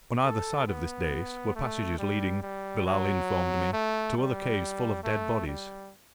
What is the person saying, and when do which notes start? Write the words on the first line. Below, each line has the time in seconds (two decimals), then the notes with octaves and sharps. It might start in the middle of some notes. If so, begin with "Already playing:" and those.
On either side of this dais were passages leading, Billali informed me, to other caves full of dead bodies.
0.25 A4
0.68 B3
1.55 A3
1.98 G3
2.42 G3
2.86 F#3
3.73 A3
4.17 G3
5.03 A3
5.47 G3